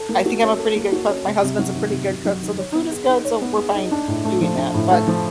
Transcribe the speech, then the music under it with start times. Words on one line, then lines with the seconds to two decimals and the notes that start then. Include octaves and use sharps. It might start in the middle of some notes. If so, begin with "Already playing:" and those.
I think I'm a pretty good cook, my husband's a pretty good cook, so the food is good, so, we're fine doing that, but
Already playing: A4
0.09 A#3
0.26 F#4
0.42 C#4
0.59 A4
0.76 A#3
0.92 F#4
1.09 C#4
1.26 C3
1.42 C3
1.59 F#3
1.75 D#3
1.91 C3
2.09 C3
2.25 F#3
2.42 D#3
2.58 C#5
2.75 B3
2.92 G#4
3.08 D#4
3.25 C#5
3.41 B3
3.58 G#4
3.74 D#4
3.91 D4
4.08 A2
4.25 A3
4.41 F3
4.58 D4
4.74 A2
4.91 A3
5.08 F3